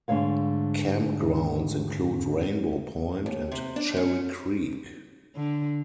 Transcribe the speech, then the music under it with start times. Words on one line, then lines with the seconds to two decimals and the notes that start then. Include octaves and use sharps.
Campgrounds include Rainbow Point and Cherry Creek.
0.08 G#2 D3 A3 C#5 F5
3.26 D#2
3.52 C3
3.76 D4
3.96 C#4
5.36 D3